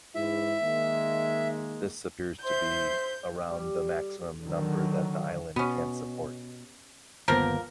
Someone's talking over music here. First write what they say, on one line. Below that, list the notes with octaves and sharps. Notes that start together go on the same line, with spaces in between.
This appears to be around the maximum number that the island can support.
G#2 E3 E4 E5
D#3 G#3 A#3
C5 E5 C6 G6
G3
D3 D#3 F#3
B2 B3 C#4
G1 D#2 F3 A#3 B3 A#4